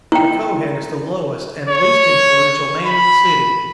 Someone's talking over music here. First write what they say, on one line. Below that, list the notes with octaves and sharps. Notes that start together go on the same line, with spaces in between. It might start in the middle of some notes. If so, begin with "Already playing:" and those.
"The Kohen is the lowest and least influential man in the city."
E4 G5
C#5
B5